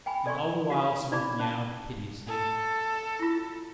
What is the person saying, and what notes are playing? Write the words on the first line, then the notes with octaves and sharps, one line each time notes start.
And all the while Smoke meowed piteously.
G5 G#5 A#5 B5
A4 D5 G#5 C6 C#6
F#4 F5 B5
D4 E4 D5 A#5 B5 D6
C#4 A5
A4
E4 F4